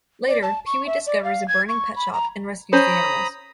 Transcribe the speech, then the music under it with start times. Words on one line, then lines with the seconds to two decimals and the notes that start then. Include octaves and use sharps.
Later, Pee-wee discovers a burning pet shop and rescues the animals.
0.28 D5
0.43 A5
0.66 C#6
0.87 E5
1.07 D5
1.24 F5
1.48 G#6
1.69 C#6
1.96 B5
2.13 A#5
2.73 C#4 C5 A#5 B5 D#6